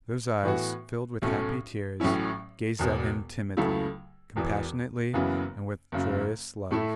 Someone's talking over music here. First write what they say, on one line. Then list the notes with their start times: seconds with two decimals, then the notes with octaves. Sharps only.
Those eyes, filled with happy tears, gazed at him timidly, compassionately, and with joyous love.
0.43 A2 E3 B3 F#4
1.22 B1 A2 A3 C#4
2.00 A1 A2 F#3 C#4 E4
2.79 E1 E2 B2
3.57 C#2 C#3 F#3 A3 E4
4.36 E1 E2 E3
5.14 F#1 F#2 C#3 E3 B3
5.92 F#1 F#2 C#3
6.71 A2 A3 E4